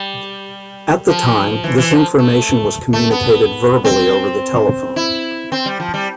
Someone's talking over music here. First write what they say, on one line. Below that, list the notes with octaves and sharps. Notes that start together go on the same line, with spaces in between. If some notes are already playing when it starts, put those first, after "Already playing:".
At the time, this information was communicated verbally over the telephone.
Already playing: G3
F3
E3
E3
F3
A3
A3
B3
C4
E4
C4
G3
F3
G3